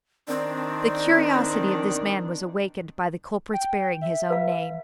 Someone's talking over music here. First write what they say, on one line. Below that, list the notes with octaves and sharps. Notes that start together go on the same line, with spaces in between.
The curiosity of this man was awakened by the culprit's bearing his own name.
D#3 C4 D4
G5
E5
B4 F5